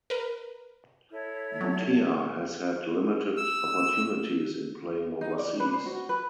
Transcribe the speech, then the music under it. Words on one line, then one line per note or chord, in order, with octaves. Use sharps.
Bhutia has had limited opportunities in playing overseas.
A#4 B4
E4 A4 C#5
F#3
E6
D#4
D5
B4
C5
F#4
B4